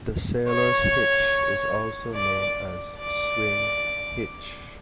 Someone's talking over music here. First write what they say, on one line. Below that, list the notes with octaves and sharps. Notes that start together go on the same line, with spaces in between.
The sailor's hitch is also known as swing hitch.
C#5
D5
D5